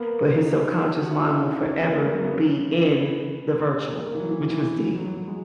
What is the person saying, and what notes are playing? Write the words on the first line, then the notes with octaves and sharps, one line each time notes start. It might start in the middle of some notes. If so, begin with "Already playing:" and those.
but his subconscious mind will forever be in the virtual, which was deep.
Already playing: A#3 B3
D#4
F#4
E4
D#4
C#4
D#4
C#4
B3
A#3
G#3
F#3
B3
C#4
B3
A#3
E3
F#3
E3
E3
E3
F#3
F#3
F#3
G#3